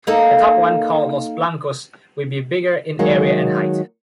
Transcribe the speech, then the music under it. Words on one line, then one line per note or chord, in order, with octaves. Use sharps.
The top one, called “Los Blancos”, will be bigger in area and height.
A#3 D#4 A4
D#3 F#3 G#3 A#3